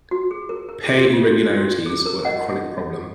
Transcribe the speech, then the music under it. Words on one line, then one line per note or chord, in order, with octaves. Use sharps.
Pay irregularities were a chronic problem.
F#4
G#4
A#4
A#4
G#4
F#4
F4
F#4
F#4
G#4
A#4
D#5 F#5